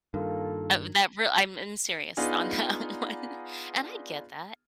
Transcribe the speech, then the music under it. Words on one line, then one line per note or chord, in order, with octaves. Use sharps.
Of that real I'm I'm serious on that one, and I get that
G2 D#3 A#3 F4 A4
B3 D4 D#4 F4 G#4